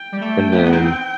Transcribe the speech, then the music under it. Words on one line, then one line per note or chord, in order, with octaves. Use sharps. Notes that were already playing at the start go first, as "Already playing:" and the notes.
And then
Already playing: G5
G3
A3
B3
D#4
C4